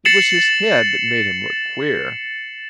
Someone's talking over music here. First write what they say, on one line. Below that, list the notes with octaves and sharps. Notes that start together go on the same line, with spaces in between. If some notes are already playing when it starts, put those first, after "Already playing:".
It was his head that made him look queer.
A6 C7 C#7 E7 F#7